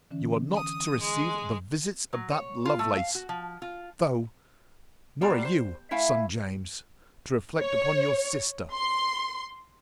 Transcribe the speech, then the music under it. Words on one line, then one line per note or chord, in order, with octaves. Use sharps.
You are not to receive the visits of that Lovelace, though.--Nor are you, son James, to reflect upon your sister.
D3 E3 C#4
D#6
G#3
F#3
C#5
F4
A3
F5
F#4
F3
F4
B2 G3 F4 D5 A5 A#5
C5
A3 E4 E5 F5 G#5
C#5
C6